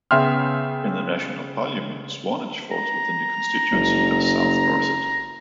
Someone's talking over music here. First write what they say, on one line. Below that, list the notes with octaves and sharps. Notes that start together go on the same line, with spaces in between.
In the National Parliament, Swanage falls within the constituency of South Dorset.
C#3 B3 E5 G5 C6 F6
A#5
F#1